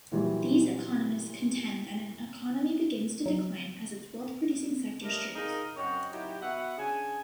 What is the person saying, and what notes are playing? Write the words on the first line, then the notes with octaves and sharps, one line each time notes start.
These economists contend that an economy begins to decline as its wealth-producing sector shrinks.
A#2 E3 F#3 G3
F#3
G3 A3 D4 A#4 D#5
D#4 F4 G#4 A#4
F#2 C4 C#5 D#5 F#5 G5
F#3 D#4 E4 G4
B3 F#4 E5 F#5
C#3 D4 G#4 G#5